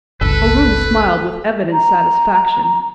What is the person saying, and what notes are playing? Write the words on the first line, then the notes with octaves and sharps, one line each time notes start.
O'Roon smiled with evident satisfaction.
G1 C#2 A4 B4
A#5